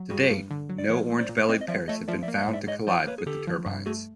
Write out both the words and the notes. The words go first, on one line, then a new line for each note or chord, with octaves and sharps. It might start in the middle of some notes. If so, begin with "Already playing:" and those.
To date no orange-bellied parrots have been found to collide with the turbines.
Already playing: F#3
G2 F#4 G#4
G2
D3
F#3
D5
F3 B4 C#5
A3
C5 D5
A#2
C4 C#5 D#5
D#5
F3 D5 E5
A3 C#5 D#5
F3 D5 E5
D5 E5
A#3
D5 E5
G#2
D5 E5
G#2 C#5 D#5
F3 C5 D5
A#3 B4 C#5
G#4
D3 G4 A4
F3
G2
A3 F#4 G#4